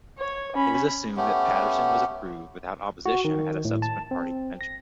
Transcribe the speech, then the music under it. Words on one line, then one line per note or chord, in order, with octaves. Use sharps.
It is assumed that Patterson was approved without opposition at a subsequent party convention.
C#5
C#4 B5
A3 B3 C#4 G4
F#4
D#3
A2
A5
C4
A#6